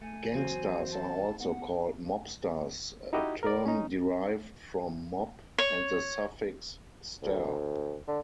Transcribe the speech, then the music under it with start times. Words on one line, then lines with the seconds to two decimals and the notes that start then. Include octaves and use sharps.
Gangsters are also called mobsters, a term derived from "mob" and the suffix "-ster".
0.01 A3 G#5
0.32 E2 F#3 C4 C5
0.92 A5
1.40 B3 F#5
3.13 D#4 E4 F#4 G4 D#5
3.43 A#4 D5
3.65 C#4 D#4
5.58 C#5
7.23 D2
8.08 D3